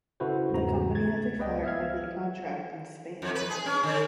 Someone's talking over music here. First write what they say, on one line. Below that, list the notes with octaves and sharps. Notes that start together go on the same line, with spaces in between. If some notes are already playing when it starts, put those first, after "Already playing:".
The company has a firefighting contract in Spain.
C#3 E4 F#4 A4 B4 C5
E2 G#2 C#3 F#4 A#5
G#6 A6
C#2 B3 B4 D5 D#5 G5
E5 F5 F6 G#6
F2
B4
G#4
C#4
D3